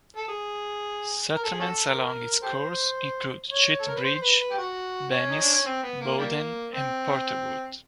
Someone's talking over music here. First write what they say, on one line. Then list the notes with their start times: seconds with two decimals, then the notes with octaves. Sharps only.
Settlements along its course include Cheat Bridge, Bemis, Bowden, and Porterwood.
0.17 A4
0.29 G#4
1.35 A#4
1.44 A4
1.52 G#4
1.60 C#4 F#4 A4
1.89 A#4
2.43 G4 A4 C5
3.51 C#5
3.80 A4
3.87 A#4
3.96 B4
4.04 C5
4.15 C5
4.22 B4
4.40 B4
4.51 G4
4.58 F#4
5.11 C#4
5.30 D#4
5.42 D4
5.53 C#4
5.65 C4
5.83 B3
6.01 A#3
6.19 D#3 G3 A#3
6.72 C4